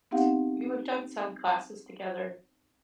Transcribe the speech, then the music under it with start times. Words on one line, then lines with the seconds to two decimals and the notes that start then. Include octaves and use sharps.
t y we've done some classes together.
0.11 B3 C4 D#4 G4 F5 F#5